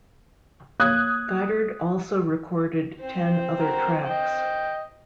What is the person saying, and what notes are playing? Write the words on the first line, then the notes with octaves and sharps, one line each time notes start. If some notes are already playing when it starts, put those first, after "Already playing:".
Godard also recorded ten other tracks.
A#3 C#5 D#6 F#6 G#6
C4 C5
F#4 A#4
D#5 G5